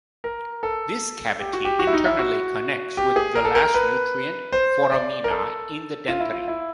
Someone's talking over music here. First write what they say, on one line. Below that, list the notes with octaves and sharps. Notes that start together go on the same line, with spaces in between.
This cavity internally connects with the last nutrient foramina in the dentary.
A#4
A4
G4
F#4
G4
F#4
E4
D#4
E4
F#4
G4
G#4
A#4
A4
A#4
B4
C5
D5
A#4
A4
F4
E4
F4
E4